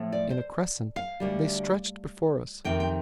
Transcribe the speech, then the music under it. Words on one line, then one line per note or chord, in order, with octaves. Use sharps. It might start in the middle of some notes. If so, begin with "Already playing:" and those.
In a crescent, they stretched before us.
Already playing: A2 F3 A3
D5
C5
F5
D2 D3 G3
F2 C3 D#3 G5
G5